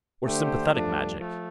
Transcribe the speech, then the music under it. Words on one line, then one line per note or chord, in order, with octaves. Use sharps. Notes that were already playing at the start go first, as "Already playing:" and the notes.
"Or sympathetic magic?"
D3 A3 D4 G4 C5
G2 F3 A3 D4
F3 A3